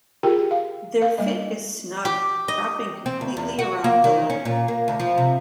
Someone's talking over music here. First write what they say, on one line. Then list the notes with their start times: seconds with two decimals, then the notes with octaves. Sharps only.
Their fit is snug, wrapping completely around the leg.
0.23 F4 G4 G#4 A#4 G5
0.51 F5
1.02 A#4 F5
1.18 G3 A#3 D#5
2.05 G4
2.48 D#5
3.06 C4
3.21 D2
3.37 E2
3.59 F#4
3.84 A#3
4.04 D#3
4.30 C#4
4.45 A#2
4.68 A#3
4.88 D2
5.00 F3
5.18 C3